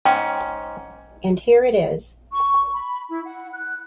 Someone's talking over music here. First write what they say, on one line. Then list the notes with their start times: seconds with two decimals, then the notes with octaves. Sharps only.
And here it is.
0.05 G#2 C#4 G5
2.31 C#6
2.74 B5
3.09 E4
3.24 F#5
3.54 F#6